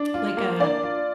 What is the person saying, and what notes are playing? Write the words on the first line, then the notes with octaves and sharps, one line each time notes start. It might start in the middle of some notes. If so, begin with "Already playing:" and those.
like a
Already playing: D4 D5
F4
A#3
D4 D5
F4